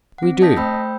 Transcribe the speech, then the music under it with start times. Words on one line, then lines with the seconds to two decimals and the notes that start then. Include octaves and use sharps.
"We do."
0.18 C4 F#5
0.42 D#5 A5 D#6 G6 A#6 B6
0.57 A3 C5 G5 B5 E6 G6